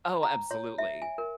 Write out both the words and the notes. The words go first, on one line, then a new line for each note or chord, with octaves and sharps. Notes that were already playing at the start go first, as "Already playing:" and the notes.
Oh, absolutely.
A#5
C#5
E5
G#5
A#4